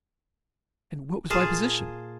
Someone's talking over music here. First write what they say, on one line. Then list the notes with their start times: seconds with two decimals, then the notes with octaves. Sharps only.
And what was my position?
1.30 A#2 F4 G#4 A5